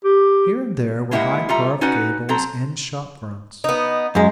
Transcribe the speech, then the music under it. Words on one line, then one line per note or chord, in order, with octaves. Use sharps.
Here and there were high carved gables and shop-fronts.
G4
G#3 A#3 E4 G4 D#5 F#5
G3 F4 A4 E5 A#5
C#4 D#4 F#4 B4 D5 F#5
F#3 C4 A4 A#5
B3 D#4
F#2 G#3